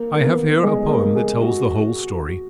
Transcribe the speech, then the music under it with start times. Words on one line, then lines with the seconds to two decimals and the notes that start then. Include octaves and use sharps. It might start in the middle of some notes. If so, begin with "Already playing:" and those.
I have here a poem that tells the whole story.
Already playing: A#3
0.15 A#3
0.25 B3
0.63 G#3
0.89 A#3
1.15 G#4
1.41 F#4